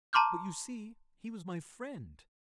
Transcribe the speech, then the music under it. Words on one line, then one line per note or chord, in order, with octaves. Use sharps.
"But, you see, he was my friend."
A5 A#5 C6 D6 F6 G6